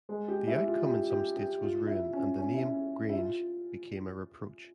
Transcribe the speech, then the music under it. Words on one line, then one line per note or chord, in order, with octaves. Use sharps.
The outcome in some states was ruin, and the name, Grange, became a reproach.
G#3
G4
E4
F4
G4
G4
G4
F4
E4
C#4
C#4
E4
C#4
E4
F4